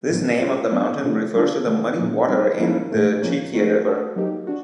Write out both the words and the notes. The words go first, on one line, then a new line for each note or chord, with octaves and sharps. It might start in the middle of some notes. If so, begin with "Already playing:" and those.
This name of the mountain refers to the muddy water in the Cheekye River.
A2 F#3 B3
G#3 C#4 F4
F#3 B3 D4
C3 F3 A3 D4
G3 B3 D4 F4 A4
C#3 E3 A3
A#2 F#3 A#3 C#4
G3 C4 D#4 G4
F3 A#3 C#4 E4 A4
A2 E3 A3
C#3 F3 A#3 C#4
F3 A3 C4 D#4 F#4
A3 D4 F#4 A4
F#3 A#3 D#4 G4
D4 F#4